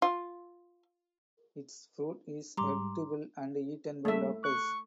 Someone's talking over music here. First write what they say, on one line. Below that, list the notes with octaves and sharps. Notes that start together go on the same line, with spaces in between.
Its fruit is edible and eaten by locals.
F4
G#2 G3 A#5 C6 D6
G3 A3 A#3 E5
C#6 F#6